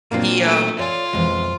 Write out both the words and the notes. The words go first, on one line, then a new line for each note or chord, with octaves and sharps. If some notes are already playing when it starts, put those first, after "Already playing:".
he, um
A#2 F#3 A#3 C4 D4 F4
A3
F4 C#5 D5 G#5
B1 F2 E3 G#3